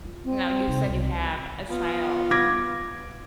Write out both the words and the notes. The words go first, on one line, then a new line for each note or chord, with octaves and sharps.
Now, you said you have a child.
F4
C4
C3 D#4
C2
B3 F4
D6 G#6 A#6